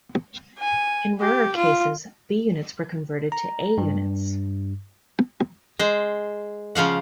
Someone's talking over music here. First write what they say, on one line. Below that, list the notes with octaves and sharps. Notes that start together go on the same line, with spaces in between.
In rarer cases, B units were converted to A units.
G#5
G4
F4
A#5
G2
G#3 C5
C#3 F3 F5 F#5